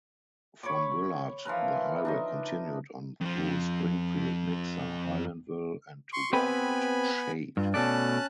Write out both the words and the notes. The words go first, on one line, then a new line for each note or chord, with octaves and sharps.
From Willard, the highway continued on through Springfield, Nixa, Highlandville, and to Walnut Shade.
C#5 B5 C#6 D6
E3 F3 A#4 B4
D4 D#4 D#5
F2 F3
C6 C#6
B3 C4 G4 B4 G#5 B5
G2 F4
B2 A3 C#4 D5 A5 F#6